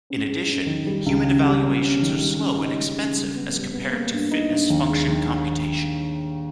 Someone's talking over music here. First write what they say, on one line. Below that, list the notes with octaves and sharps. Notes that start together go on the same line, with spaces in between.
In addition, human evaluations are slow and expensive as compared to fitness function computation.
C#4
G#3
C#4
D#3
G3
C#2
C#3
G3
C#4
C#4
D#3
G3
C#3
D#4
G#3
C#3
G3
B3
G3
B3
A#3
G2
D#4
G2
D#2
G#3
D#3